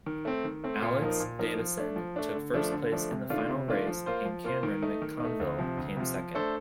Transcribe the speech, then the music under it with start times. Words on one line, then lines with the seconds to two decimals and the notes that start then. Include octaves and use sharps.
Alex Davison took first place in the final race and Cameron McConville came second.
0.06 D#3
0.25 A3 C4
0.44 D#3
0.64 A3 C4
0.82 A#2
1.02 F3 A#3 D#4 A#4
1.20 A#2
1.39 F3 A#3 D#4 A#4
1.59 F3
1.77 A3 D4
1.96 F3
2.16 A3 D4
2.35 D3
2.54 F3 A3 D4
2.72 D3
2.92 F3 A3 D4
3.11 C3
3.30 D#3 A3 D4 F4
3.49 C3
3.68 D#3 A3 D4 F4
3.87 F3
4.06 A#3 F4 C5
4.25 F3
4.44 A#3 F4 C5
4.63 D#3
4.82 A3 D#4
5.02 D#3
5.20 A3 D#4
5.40 D2
5.58 C3 F3
5.77 D2
5.97 C3 F3
6.15 F3
6.35 A3 D4 A4 C5